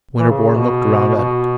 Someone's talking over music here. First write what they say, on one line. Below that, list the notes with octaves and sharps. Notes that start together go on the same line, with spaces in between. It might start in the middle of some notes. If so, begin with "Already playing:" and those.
Winterborne looked round at it.
E3
C#3
B2
B2